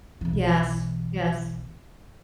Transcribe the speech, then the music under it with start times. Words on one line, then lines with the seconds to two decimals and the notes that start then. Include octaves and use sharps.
Yes, yes.
0.21 B1 E3